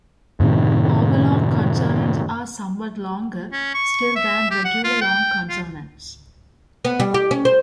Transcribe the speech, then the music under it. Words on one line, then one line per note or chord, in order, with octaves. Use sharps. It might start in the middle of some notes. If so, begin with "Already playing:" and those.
Overlong consonants are somewhat longer still than regular long consonants.
F#2 A2 C3 D#3
C#4
C#6
E5
G4
F#5
F4
G5
F4
B3
G3
G4
C#4
C5